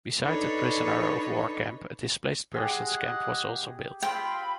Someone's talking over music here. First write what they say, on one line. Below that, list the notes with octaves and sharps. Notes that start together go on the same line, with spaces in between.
Besides the prisoner of war camp, a Displaced persons camp was also built.
D4 D#4 A4 B4 C#5 D#5
G#3 G4 G#4 D#5 F#5
C4 F4 G5 B5 C6